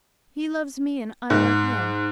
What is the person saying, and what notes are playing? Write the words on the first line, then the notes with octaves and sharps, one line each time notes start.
He loves me and I love him.
G#2